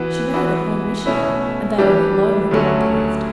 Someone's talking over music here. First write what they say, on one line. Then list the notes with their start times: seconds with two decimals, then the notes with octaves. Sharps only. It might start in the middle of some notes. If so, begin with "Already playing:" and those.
She married a home missionary, and they are in a lonely part of the west.
Already playing: E3 B3 F#4
0.34 E3 B3 F#4
1.06 B2 A3 C#4 E4
1.78 E3 G3 D4 G4
2.51 D2 D3 F#3 A3 C#4